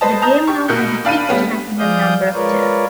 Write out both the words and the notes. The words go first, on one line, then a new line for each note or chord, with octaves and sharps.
The game now has a fixed maximum number of turns.
B4 C5 D#5 A5
A5 A#5 D#6 G6
G4 C#6
B2 A#3 F#6 G6 C#7
D4 F5 B5 D#7
G3 A3 B3 C#4
F3 G#4 D5 F5 D#6 G6
G#3 F4 A#4 B4 C#5 D5